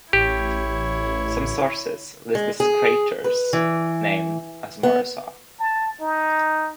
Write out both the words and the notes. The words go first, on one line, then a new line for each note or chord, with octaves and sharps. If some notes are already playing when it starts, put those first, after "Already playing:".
Some sources list this crater's name as Morosov.
A1 E4 G4 C#5
G#3
G#4
B4
E3
B3
A5
D#4